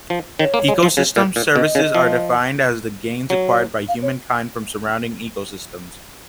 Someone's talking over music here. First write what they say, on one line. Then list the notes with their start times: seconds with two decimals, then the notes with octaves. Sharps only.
Ecosystem services are defined as the gains acquired by humankind from surroundings ecosystems.
0.10 F3
0.39 D#3 C#5
0.54 A#3
0.68 G#3
0.83 F3
0.97 C#3
1.16 A#2
1.36 A#2
1.56 B2 D#5
1.75 C#3
1.95 F3
3.30 F#3
3.88 F5
4.02 C#5